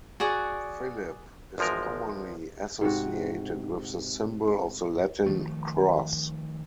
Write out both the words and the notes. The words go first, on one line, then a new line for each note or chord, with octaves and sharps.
Philip is commonly associated with the symbol of the Latin cross.
F#4 G#4 D5 F#5
G#1 E2 F3 G#3 A#4
G#2 C3 F#4
D#3 F3 A3